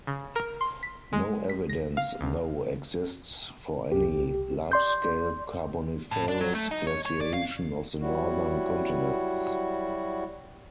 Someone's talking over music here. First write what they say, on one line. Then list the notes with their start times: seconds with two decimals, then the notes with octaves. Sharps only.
No evidence, though, exists for any large-scale Carboniferous glaciation of the northern continents.
0.07 C#3
0.36 A#4
0.61 C6
0.83 B6
1.13 G#3
1.50 B6
1.69 A#6
1.97 F5
2.21 D2
3.92 C2 G4
4.72 D5 C6 G6
6.11 A2
6.28 D4
6.41 F#3
6.55 A3
6.71 D#4
6.87 C#5
7.06 C#5
7.21 D5
7.34 F5
8.00 F#3 G3 E4 F#4